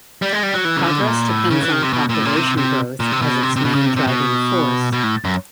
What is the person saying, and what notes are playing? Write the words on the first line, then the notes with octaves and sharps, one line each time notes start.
Progress depends on population growth as its main driving force.
G3
G#3
G3
F#3
E3
C#3
D3
B2
A#2
A2
C#3
E3
D#3
C3
B2
A#2
A2
A#2
C3
C3
A#2
C3
B2
C3
C3
B2
C#3
C3
C3
B2
B2
A2
F#2